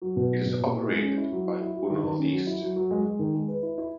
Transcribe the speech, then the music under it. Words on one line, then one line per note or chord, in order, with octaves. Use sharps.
It is operated by Go North East.
F#3
B2
F#3
B2
A#2
E4
G#3
C#4
E4
F#3
E4
E4
F#4
D#3
D#3
C#4
F#3
E4
F#3
F#3
G#3
G#3
D#3
G#3
B4
E4
E4